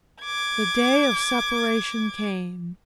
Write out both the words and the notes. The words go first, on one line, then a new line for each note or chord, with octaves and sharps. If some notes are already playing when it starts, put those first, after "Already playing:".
The day of separation came.
D6 G#6